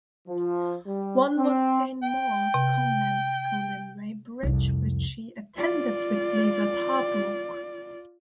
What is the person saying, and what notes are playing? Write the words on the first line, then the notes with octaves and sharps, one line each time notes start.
One was Saint Maur's Convent School in Weybridge, which she attended with Liza Tarbuck.
F3
G3
C4
G5
C3
C2 F2
F4 D5